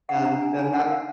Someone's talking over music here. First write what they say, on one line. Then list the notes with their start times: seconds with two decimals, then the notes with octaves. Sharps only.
and then that's
0.09 F#5
0.15 D4
0.25 A#5
0.36 D4
0.42 G#5
0.58 D#4 G#5
0.73 F#5
0.79 A#4
0.90 F5